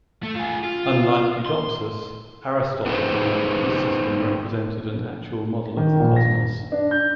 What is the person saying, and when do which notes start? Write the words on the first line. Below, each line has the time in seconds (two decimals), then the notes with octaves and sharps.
Unlike Eudoxus, Aristotle believed that his system represented an actual model of the cosmos.
0.23 A3
0.35 F4 G#4
0.64 F4
1.46 C6
2.86 B3 D#4 G4 G#4 B4 C5
5.77 D#3
5.99 A#1
6.16 A#6
6.72 D4
6.91 G6